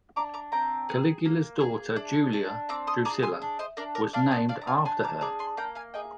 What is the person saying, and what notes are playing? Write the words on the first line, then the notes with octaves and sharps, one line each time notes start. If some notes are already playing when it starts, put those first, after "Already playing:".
Caligula's daughter, Julia Drusilla was named after her.
D4 A#5 D6
A#5 D6
C4 G5 A#5
G#4
A#3
G#4
D4
D4
C4 A#5 D6
C6 D#6
G#4 A#5 D6
G#5 C6
D4
C5 D#5
D4 A#4 D5
A#4 D5
D4 D5 F5
D#5 G5
D4 D5 F5
A#5
F5 G#5
D4 G#5 C6
A#5 D6
G#4 A#5 D6
G#5 C6
A#3 G5 A#5
F5 G#5
G#4 D#5 G5